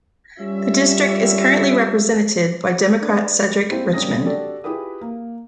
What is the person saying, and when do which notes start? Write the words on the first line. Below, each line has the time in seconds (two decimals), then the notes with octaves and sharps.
The district is currently represented by Democrat Cedric Richmond.
0.39 G3 C#4 F4 E5
3.01 D4 B4
3.69 A#3 C4 E4 G4 C5
3.93 G3 A#3 C#4 D#6 A#6
4.25 D4 F#4 G4 A4 D5
4.64 E4 F4 G4 G#4 B4 D#6
5.01 A#3